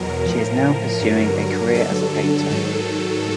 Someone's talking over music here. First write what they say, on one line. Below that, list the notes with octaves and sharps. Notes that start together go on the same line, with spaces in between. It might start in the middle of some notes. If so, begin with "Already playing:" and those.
She is now pursuing a career as a painter.
Already playing: E2 B2 F#3 A#4
A2 F3
G2 D3 F#3
G2 D3 F#3 A4
G#2 D#3 F#3